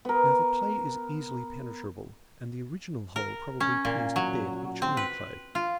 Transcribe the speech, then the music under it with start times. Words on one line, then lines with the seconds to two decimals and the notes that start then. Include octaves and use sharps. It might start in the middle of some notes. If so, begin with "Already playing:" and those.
Now, the clay is easily penetrable, and the original hole probably pierced a bed of china clay.
0.05 B3 A#4
3.16 A#4
3.60 C#4
3.85 A#2
4.16 F#3
4.82 C4
4.97 B4
5.55 F4